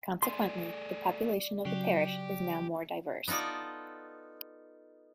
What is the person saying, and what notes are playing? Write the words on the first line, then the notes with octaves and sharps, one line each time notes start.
Consequently, the population of the parish is now more diverse.
A3 G#4 D5 C6
C#3 F#3 G4
B3 D#4 F4 A4 D5